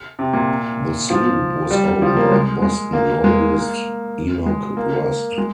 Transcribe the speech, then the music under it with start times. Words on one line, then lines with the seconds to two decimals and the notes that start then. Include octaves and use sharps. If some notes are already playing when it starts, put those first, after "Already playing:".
The sloop was owned by Boston loyalist Enoch Rust.
0.19 C3
0.34 A#2
1.10 F3
1.71 G3
2.02 F3
2.17 A#3
2.31 G#3
2.62 G#3
2.93 A#3
3.24 G#3
3.54 A#3
4.46 G#3
4.77 A#3
5.38 G#3